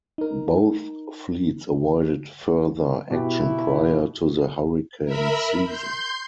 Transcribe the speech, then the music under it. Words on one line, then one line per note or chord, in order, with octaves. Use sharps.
Both fleets avoided further action prior to the hurricane season.
D#4 A#4
B2 E4 G4
A#4 E5 B5
C6 G6